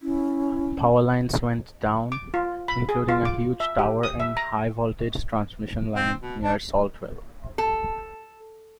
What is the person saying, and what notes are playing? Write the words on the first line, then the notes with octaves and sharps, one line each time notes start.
Power lines went down, including a huge tower and high-voltage transmission line near Saltwell.
C#4 E4
D6
F4
B5
G#4
F4
D6
E5
G4
D#6
E5
A#5
C4
B2
D4
A4